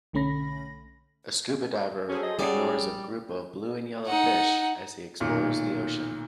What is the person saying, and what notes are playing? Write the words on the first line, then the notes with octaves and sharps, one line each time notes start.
A scuba diver ignores a group of blue and yellow fish as he explores the ocean.
B1 D3 A3 C#4 B5 A#6
F#3 C#4 G#4 A4 C5
D#5
G3 A3 C#4 F#4 G#4 A4 D5
A#1
D#4 F#5
B1 A#2 D#3